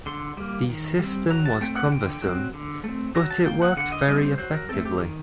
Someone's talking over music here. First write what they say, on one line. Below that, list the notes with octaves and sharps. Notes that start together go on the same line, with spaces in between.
The system was cumbersome, but it worked very effectively.
D3 C6
G3 A#3
D#3
G3 C4
F#3 A#5
A5
A3 C4 G5
F#5
D3 G5
F#3 C4
D3
A3 C4
F#3 A#5
A5
A#3 G5
F#5
D3 F#5
D#5
G3 C4 D#5
C5
F#3 C5
A#4
A3 C4 A4
G4
D#3